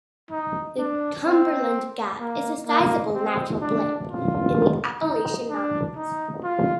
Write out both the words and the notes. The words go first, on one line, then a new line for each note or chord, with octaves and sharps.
The Cumberland Gap is a sizable natural break in the Appalachian Mountains.
D#4
D4
C4
A#3
A#3
C4
D4
F4
D#4
D4
D#4
F4